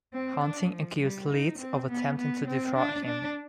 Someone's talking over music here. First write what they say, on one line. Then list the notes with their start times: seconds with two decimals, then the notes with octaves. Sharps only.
Hunting accused Leeds of attempting to defraud him.
0.13 C4
0.42 D4
0.71 F3
1.01 G3
1.30 D#4
1.59 C4
1.88 B3
2.18 B3
2.47 C4
2.76 D4
3.05 D4